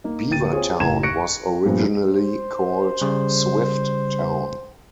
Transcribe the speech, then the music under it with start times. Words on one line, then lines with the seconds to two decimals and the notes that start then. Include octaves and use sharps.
Beavertown was originally called Swifttown.
0.04 A#3 D#4
0.30 D1 A#3 G5 A6 D#7
0.52 C4 F4 G#4 C#5
0.80 F#1 A2 A#5 G#6 E7
1.03 C#6 F#6 A#6 C#7 D7
1.65 G2 A#2 F3 G3 B3 D4
2.13 C5
3.02 C#3 G3